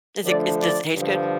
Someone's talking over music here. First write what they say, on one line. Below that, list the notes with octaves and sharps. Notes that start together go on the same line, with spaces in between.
Is it is does it taste good?
D3 F3 A3 D4 D5
D5
G2 D3 F3